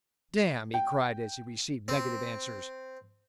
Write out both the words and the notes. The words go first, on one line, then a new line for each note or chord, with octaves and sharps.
"Damn!" he cried as he received negative answers.
G5
C4